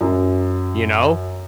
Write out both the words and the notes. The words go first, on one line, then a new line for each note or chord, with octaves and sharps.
you know,
F#2